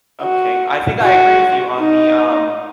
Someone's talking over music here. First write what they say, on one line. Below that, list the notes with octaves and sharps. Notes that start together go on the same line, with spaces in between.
okay I think I agree with you on the, um,
F#4
F#4
D#4